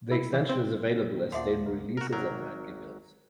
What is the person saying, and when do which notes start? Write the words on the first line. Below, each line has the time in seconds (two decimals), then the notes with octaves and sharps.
The extension is available as stable releases and nightly builds.
0.11 E4
0.33 E3
0.49 C4
1.14 A#2 D#3
1.32 D#2 A#2 F3 F#4 D5 E5 F#5
1.65 C#2 A#4
1.97 F#4 A#4
2.13 G#1 F#3 A#4